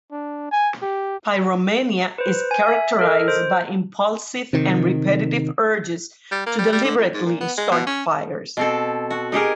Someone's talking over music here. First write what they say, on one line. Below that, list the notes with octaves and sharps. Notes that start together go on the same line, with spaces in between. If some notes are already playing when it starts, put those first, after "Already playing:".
Pyromania is characterized by impulsive and repetitive urges to deliberately start fires.
D4
G#5
G4
B4 C5
G#5
E5
A4 A#4 D#5
C5
C3 D#3
G3
A#3
G3
G3
D3
F2
G#2
A#2
B3
G#3
B2
C#4
B2 C4 A4
F#4
D#4 G4 G#4 A#4